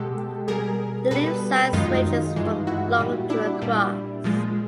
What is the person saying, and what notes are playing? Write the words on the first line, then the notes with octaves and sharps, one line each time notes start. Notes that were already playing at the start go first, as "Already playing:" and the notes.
The leave size ranges from long to across.
Already playing: B2 G#3 G4 A4
B2 G3 G#4 A#4
B2 G3 A4 B4
F#2 D#3 G#3 D#4 F4
G2 E3 G#3
E4 F#4
A#2 G3
D4 E4
A#2 G3
A#2 F3 G#3